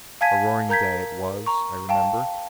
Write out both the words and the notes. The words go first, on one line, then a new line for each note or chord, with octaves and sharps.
A roaring day it was, I remember....
F5 G#5 A5 G#6 B6 D#7
A#4 A#5 G6 G#6 B6
A#5 C#6
F5 G5 A5